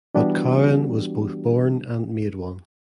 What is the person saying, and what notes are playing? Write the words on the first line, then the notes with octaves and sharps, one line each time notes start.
But Cowan was both born and made one.
E3 G3 B3 D4 F#4 G4